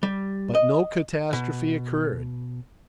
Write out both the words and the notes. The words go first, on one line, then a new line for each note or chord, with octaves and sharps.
But no catastrophe occurred.
G3
D#5
B2